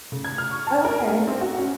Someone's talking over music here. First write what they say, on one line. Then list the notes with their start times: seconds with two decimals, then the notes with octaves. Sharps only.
Oh, okay
0.12 C#3
0.25 G#6
0.38 F6
0.51 C#6
0.67 A5
0.85 A#4
0.98 G#5
1.09 A3
1.27 C4
1.41 F#4
1.58 C#4